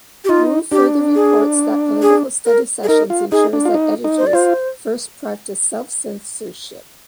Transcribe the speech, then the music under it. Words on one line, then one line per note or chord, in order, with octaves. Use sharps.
Wu further reports that, political study sessions ensures that editors first practice self-censorship.
G4
D#4 F4
D4 G4
G#4
G#4
A#4
G#4
D#4 A#4
F4
D#4 G#4
D4
F4
D#4
D#4
C5
D5
F4 C5